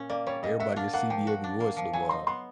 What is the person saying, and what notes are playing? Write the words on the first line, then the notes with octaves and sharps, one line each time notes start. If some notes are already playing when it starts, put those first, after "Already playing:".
everybody will see me every once in a while.
Already playing: A#2 C#4
A#3 D5
G3 C#5
A#2 D#5
F#4 E5
D4 F5
A#3 F#5
F3 G5
F#4
D4
A#3
F3
F#3 G#5
D#4 C6
B3 C6